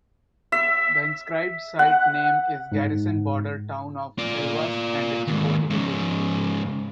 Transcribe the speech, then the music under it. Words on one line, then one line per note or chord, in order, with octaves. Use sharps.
The inscribed site name is Garrison Border Town of Elvas and its Fortifications.
E5
F#5
G#2
F4 D5
D#2 G#2
G#2 C#3